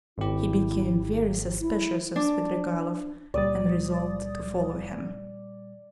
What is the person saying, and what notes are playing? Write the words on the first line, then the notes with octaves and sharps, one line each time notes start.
He became very suspicious of Svidrigailov and resolved to follow him.
G#1 E4 G4
E4
D4
C#2 A#2 G3 D5 D#6 A6